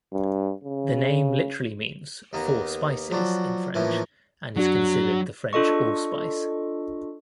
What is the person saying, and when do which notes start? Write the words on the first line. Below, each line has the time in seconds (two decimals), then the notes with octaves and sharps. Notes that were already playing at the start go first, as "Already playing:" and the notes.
The name literally means "four spices" in French and is considered the French allspice.
0.13 G2
0.64 C#3
2.33 D#2 A#3 B3
3.10 F3 F#3 D4 F#4
3.74 A2 E3 F3 A#3 C#4
4.56 F#2 F#3 D4 F#4
5.53 D4 F4 A4 D#5 C#6